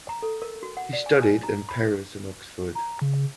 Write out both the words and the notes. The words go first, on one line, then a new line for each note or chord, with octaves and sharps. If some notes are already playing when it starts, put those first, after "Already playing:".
He studied in Paris and Oxford.
A#5
A4
A#4
F#4
F#5
D5
G#5
G#5
A#5
B5
A#5
C#3